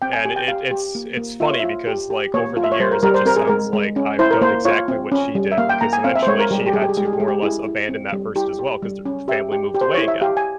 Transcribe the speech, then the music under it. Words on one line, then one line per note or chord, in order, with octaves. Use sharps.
And i i it's it's funny because, like, over the years, it just sounds like I've done exactly what she did because eventually she had to, more or less, abandon that person as well, 'cause the f family moved away again.
C4 G5
G#5
G4 G#5
G5
G4 F5
G4
A#3
A#3
F4 E5
C#5
F4 E5
G4
G4
A#3 C#5
F4
E5
C#5
G3 C5
A#4
G3 A#4
C5
C4 A#4
G#4
G#3 A#4
G#3
C#4
E4 C5
A#4
A#3 C5
F4 C#5
C4
C#4
G3
E5
A#3 F5
G5
A#3 A#5
G#5
C4 F5
E5
C5
G#3 C#5
A#4
G3 G4
G#4
G4
G3 G#4
G4
G#4
G#3 G4
G#4
G4
G#3 G#4
G4
E4 G#4
E4
C4
G3
E4 G4
G4
G3
C#4
G4 E5
G4
G4
C5
E4 C#5
E5
G4 F5
G#5